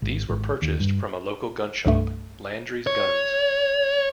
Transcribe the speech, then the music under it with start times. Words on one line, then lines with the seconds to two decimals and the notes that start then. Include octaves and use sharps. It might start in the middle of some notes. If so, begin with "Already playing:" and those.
These were purchased from a local gun shop, Landry's Guns.
0.02 G#1
0.29 G#1
0.62 D#2
0.80 G2
1.86 C2 G2 A3
2.87 C#5